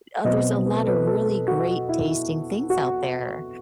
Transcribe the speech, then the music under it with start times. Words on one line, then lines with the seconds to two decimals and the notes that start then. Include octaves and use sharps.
uh, there's a lot of really great tasting things out there.
0.25 B2 F#3 C4 D#5
0.66 B4
0.76 A4
0.87 B4
1.07 A4
1.48 F#4
1.89 E4
2.70 F#4